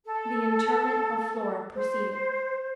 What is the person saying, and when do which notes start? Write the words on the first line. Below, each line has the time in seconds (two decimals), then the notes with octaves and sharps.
The interment of Flora proceeded....
0.05 A4
1.75 C5